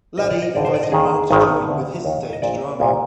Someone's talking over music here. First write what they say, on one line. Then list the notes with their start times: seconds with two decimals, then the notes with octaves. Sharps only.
Laddie invited Mark to join with his stage drama.
0.18 A#1 G#2 D#3 D#5
0.30 D5
0.42 D#5
0.55 G#1 G2 D3 D5
0.65 C5
0.74 D5
0.83 D#5
0.92 D#2 D#3 G#4
1.31 G#1 G2 D#3
1.68 D2 D3
2.05 D#2 D#3
2.33 D#5
2.42 A#1 A#2 D5
2.80 C2 A#2